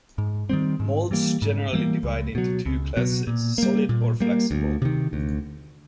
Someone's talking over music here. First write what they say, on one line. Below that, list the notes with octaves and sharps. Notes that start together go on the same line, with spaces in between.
Molds generally divide into two classes: solid or flexible.
G#2
D#3 G3 C4
G#2
E3 G3 A#3
G#2
E3 G3 A#3
C#2
B2 F#3
C#2
B2 F#3
A#2
G3 A#3
A#2
G3 A#3
D2
C3 D#3
D2